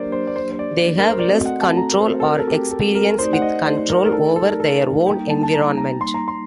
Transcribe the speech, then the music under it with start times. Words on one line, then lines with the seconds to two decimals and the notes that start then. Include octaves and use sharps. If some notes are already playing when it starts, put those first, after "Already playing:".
They have less control, or experience with control, over their own environment.
Already playing: F#3 A#3 D4 G4 A#4 C5 D5
0.12 C5
0.27 D5
0.36 C5
0.52 C5
0.59 D5
0.98 A#4
1.09 C5
1.19 D5
1.30 A3 C4 F#4 A4 D#5
1.46 F#5
1.61 A5
1.77 A#5
1.90 A#4
2.00 C5
2.20 A4
2.24 A#4
2.39 A4
2.48 G4
2.71 A4
2.95 A#4
3.19 A3 D#4 G4 C5 D5
3.33 F#5
3.42 D#5
3.65 C5
3.77 C5
3.89 A#4
4.05 A#4
4.13 A4
4.36 A4
4.50 A#4
4.60 A4
5.06 G3 A#3 D#4 G5
5.30 A5
5.43 A5
5.54 A#5
5.77 A#5
6.01 C6
6.14 A#5
6.28 C6